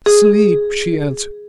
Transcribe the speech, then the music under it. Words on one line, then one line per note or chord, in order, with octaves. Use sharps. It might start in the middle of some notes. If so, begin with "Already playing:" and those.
"Sleep!" she answered.
G#4